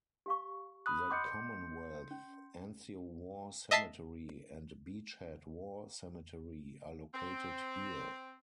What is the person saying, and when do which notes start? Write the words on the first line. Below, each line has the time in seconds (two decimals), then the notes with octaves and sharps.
The Commonwealth Anzio War Cemetery and Beach Head War Cemetery are located here.
0.26 G4 F5 C#6
0.86 B5 D#6 F#6
1.11 D#5 F#5 C6 D6 G6 C#7
2.11 C#4
3.71 D#5 E5 A5 B6 C7
7.13 C4